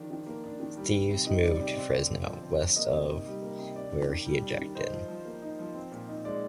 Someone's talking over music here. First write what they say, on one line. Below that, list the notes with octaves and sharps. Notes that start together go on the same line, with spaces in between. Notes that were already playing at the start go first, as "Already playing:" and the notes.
Steeves moved to Fresno, west of where he ejected.
Already playing: D#3 F3 D4
D#3
A#3
D4
D#3
G3
C3
C3
D#3 D#5
G3 D5
C3 D5
C4
D3
D3
F3
C4
D3
A#3 D#5
C3
D#4
G3
A#3
C3
D4 D5
D#3
D#3
G3
D4
D#3
D#4 C5
F3
F3
A#3
D#4
F3
C4
A#2
D#4
G#3 D5